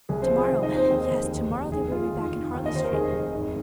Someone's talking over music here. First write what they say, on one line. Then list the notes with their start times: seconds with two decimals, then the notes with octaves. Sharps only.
'To-morrow--yes, to-morrow they will be back in Harley Street.
0.09 C2 G#4
0.22 C4 C5
0.29 F3
0.36 G#4
0.49 D#3
0.63 D#4 D#5
0.70 D#2
0.76 C4 C5
0.90 D#2 G#4
1.11 F1
1.31 D#2
1.51 F1
1.72 F1 G#4
1.91 F1 F4
2.12 D#3
2.32 F1
2.53 D#2
2.66 D#5
2.73 D#3 C5
2.85 A#4
2.93 F1 G#4
3.13 F1
3.34 G#1